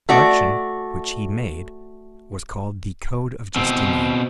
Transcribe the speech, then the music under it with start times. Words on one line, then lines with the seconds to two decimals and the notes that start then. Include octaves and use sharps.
The collection which he made was called the CODE OF JUSTINIAN.
0.09 A3 F#4 D5
3.56 B2 C4